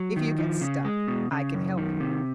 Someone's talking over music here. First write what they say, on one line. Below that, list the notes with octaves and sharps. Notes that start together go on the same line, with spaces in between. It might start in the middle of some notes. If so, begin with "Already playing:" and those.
If you get stuck I can help you.
Already playing: F#3
D#3
F3
C#3
G#3
B2
C#3
F#2
D#3
C3